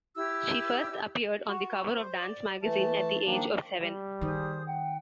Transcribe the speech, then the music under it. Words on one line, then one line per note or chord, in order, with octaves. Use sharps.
She first appeared on the cover of Dance Magazine at the age of seven.
E4 G4 E6
F#4
C5
D5
E3 A3 A5
D#3 F3 A#3 D4
G3
D#3 D#4 G#4 C5 D#6
F#5 G5